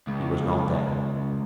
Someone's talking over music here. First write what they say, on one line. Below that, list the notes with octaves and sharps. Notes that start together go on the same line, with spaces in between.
He was not there.
C#2